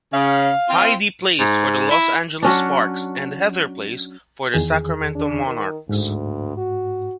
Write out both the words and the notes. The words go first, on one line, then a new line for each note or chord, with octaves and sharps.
Heidi plays for the Los Angeles Sparks and Heather plays for the Sacramento Monarchs.
C#3 F5
C4 F4
G#2
E4
F#3 C#4 D4
E2 D#3 G#4
D4
D#3
D2 G#2
F#4